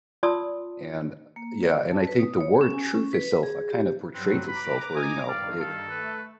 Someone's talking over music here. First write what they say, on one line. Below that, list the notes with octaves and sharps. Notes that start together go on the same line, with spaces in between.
And, eh, eh, yeah, and I think the word "truth" itself, uh, kind of portrays itself where, you know, i d
F4 D5 A5 C6 D#6 E6
A#3
D5
A5
B4
D#6
C#5
C#4
G#5
C#4
B4
G#4
G4
G2 F#3 C4 B4
A#5 B5 D6
D#5 G#5
G2 D#3 D5 F5
A4
A3 B4